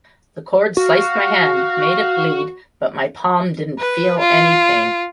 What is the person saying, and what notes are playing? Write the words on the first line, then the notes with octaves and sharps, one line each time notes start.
The chord sliced my hand made it bleed, but my palm didn't feel any pain.
F#4 F5
B4
F4